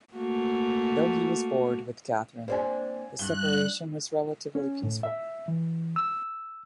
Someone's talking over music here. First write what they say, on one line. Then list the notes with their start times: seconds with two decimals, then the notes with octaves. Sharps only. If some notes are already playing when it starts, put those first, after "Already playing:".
Though he was "bored" with Catherine, the separation was relatively peaceful.
0.17 A3 A#3 F#4
2.48 A#3 C4 D4 C5 D5 G#5
3.19 G2 F#6 G7
4.55 C#4
4.83 A2
5.03 E5
5.48 E3
5.96 E6